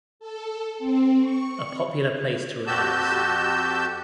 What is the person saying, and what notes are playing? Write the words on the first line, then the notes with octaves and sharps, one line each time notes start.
A popular place to relax.
A4
C4
C#6
F2 F#4 G4 A5 E6 G6